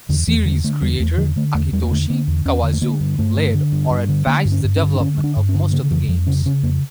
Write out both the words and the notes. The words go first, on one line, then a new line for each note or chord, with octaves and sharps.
Series creator Akitoshi Kawazu led or advised the development of most of the games.
E2 D3
E2 E3
D3 G3
D3 A3
E2 G3
E2 A3
D3 F3
D3 A3
E2 A3
E2 G3
A#3
D3 A3
D3 A#3
E2
E2 C#4
D3
A3
D3 A#3
G2
G2 A3
D3
D3
G2
G2
D3
D3 A#3
G2
C#4
G2
C#4
D3
D4
D3 C#4
G2
D4
G2
C#4
D3
C#3 A#3
F2 E3
F2 F3
C#3 C#4
C#3 C#4
F2 A#3